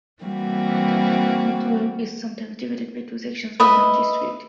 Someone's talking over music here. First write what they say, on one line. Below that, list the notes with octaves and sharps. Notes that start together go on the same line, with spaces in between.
North York is sometimes divided by two sections by Yonge Street.
E3 G3 A#3 C4 F#4
B4 D#5 E5